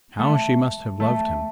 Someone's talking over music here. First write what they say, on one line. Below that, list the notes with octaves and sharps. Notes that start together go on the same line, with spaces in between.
How she must have loved him!
A3
A3